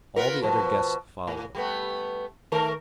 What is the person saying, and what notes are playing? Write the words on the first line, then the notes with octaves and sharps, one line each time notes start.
All the other guests followed.
B3 F4 A#4
B2 F3
A2
G3 A3 B3
D#3 A3 A#4